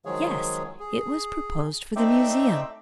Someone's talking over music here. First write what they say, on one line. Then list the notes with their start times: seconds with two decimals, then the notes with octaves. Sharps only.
"Yes; it was proposed for the Museum."
0.05 D#3 F3 F#3 G#3 G#4 C#5
0.80 G#4
1.96 A3 C4 D#4 D5 E5 G5